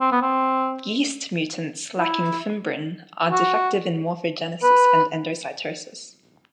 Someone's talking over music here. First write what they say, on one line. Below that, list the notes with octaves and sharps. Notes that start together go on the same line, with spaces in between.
Yeast mutants lacking fimbrin are defective in morphogenesis and endocytosis.
C4
B3
C4
E4
F#4
B4